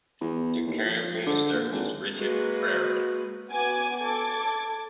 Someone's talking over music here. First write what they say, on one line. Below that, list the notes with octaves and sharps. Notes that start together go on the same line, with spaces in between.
The current Minister is Richard Ferrand.
E2
D#2
F3
D3
A#2
G#1
G#3 A#3 F#4 B4
B3 F#4 G#5 D6 G#6
A4 D6 G#6